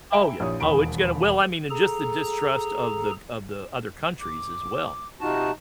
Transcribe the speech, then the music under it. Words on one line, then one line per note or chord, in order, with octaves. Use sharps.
Oh, yeah, oh, it's gonna Well, I mean, just the distrust of the g of the other countries as well.
E5 G5 G#5 A#5 B5 D7
A#1 E4 G4 C#5 D#6
E1 D#2 B5 D7
G#4 A4 A#5
D6
C3 D#4 F4 F#4 A5